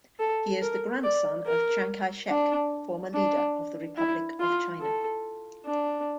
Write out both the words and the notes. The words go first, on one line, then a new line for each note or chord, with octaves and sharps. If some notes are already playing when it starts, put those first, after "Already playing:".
He is the grandson of Chiang Kai-shek, former leader of the Republic of China.
A4
A#4
D5
A#4
D4
D4
E4
F4
A4
D4